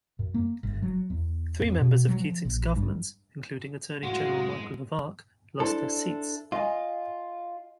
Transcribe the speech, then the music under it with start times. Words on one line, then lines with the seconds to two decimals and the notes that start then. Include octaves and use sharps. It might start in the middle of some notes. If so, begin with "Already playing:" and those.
Three members of Keating's government-including Attorney-General Michael Lavarch -lost their seats.
0.19 F#2
0.34 A#3
0.63 G1
0.82 F#3
1.10 E2
1.61 F2
1.80 B2
2.08 F#3
2.20 F3
2.45 A#1
2.76 G2
4.03 F#2 A2 E3 G#3 F4 F#4 F#5
5.60 D4 E4 A4 C5
6.52 F4 D#5 G#5